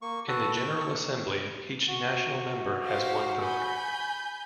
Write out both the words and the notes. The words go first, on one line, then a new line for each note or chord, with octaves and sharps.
In the General Assembly, each national member has one vote.
A#3 C#6
F#4 A4 B4 F#5 A5
C#6
F#4
G4 C5 F5
G#5 B5 G6